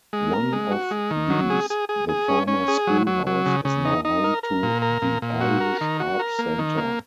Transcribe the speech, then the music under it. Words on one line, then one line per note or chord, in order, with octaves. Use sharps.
One of these, the former schoolhouse, is now home to the Irish Harp Centre.
G#3
A#4
G#3
F#4
G#3
D#3
F#3
G#4
G#4
G#4
G#4
C#4
C#4
G#4
F#3
F#3
F#3
C#3
C#3
D#4
D#4
A#4
A#4
A#2
A#4
A#2
A#2
F#4
A#4
D#3
F#4
A#4
A#3
D#3
A#3